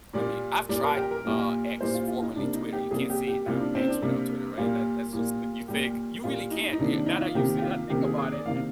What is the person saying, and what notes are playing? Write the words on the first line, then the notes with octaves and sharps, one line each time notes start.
I mean, I've tried, uh, X, formerly Twitter. You can't say it now; X without Twitter, right? That that's just when you think. You really can't, eh, now that you say I think about it,
A#2 G3 A#3 D5
A#2 G3 A#3 D5
A#4
G4
A#4
A#2 G3 A#3
A#2 G3 A#3 C5
F4
F4
D#4
C3 G3 A#3 D4
D#4
G4
C3 G3 A#3 G#4
G4
G4
C3 G3 A#3 F4
D4
C4
D4
C3 G3 A#3
A#2 G3 A#3 F4
A#2 G3 A#3
A#2 G3 A#3 G4
A#2 G3 A#3 F4
D#4
D#4
C3 D#3 A#3 D4
D4
D#4
F4
C3 D#3 A#3 G4
G4
F4
C3 D#3 A#3 G4
G#4
G#4
D5
C3 D#3 A#3 F5